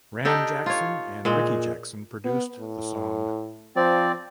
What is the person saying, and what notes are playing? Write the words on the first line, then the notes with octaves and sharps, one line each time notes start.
Ran Jackson and Ricky Jackson produced the song.
D4 D#4 G4 A4
F4 C#5
A#2 G#3
B3
A2
F3 C4 D5